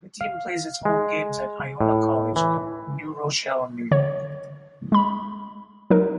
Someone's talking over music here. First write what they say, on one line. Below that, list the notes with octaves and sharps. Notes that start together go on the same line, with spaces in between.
The team plays its home games at Iona College in New Rochelle, New York.
F5
G#3
A2
E3
D3 C#5
G#3 B5
F#3 D#4 A#4